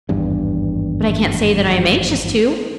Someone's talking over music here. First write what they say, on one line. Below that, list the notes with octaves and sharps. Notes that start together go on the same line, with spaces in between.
But I can't say that I am anxious to.
G#1 E2 G2